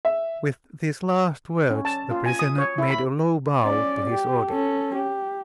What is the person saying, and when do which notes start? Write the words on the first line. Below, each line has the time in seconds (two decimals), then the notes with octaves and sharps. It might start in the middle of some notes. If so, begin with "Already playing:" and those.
With these last words, the prisoner made a low bow to his audience.
0.05 E5
1.71 C#4
1.85 A5
2.11 F4
2.26 G#5
2.39 D#6
2.58 C#5
2.78 E4
2.90 B5
3.62 C#4 D5
4.10 G4
4.50 C#4 A4
4.95 G4